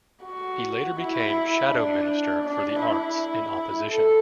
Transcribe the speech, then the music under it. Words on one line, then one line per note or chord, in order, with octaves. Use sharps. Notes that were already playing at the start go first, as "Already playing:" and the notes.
He later became Shadow Minister for the Arts in opposition.
F#4
E4
D4
D4
E4
A4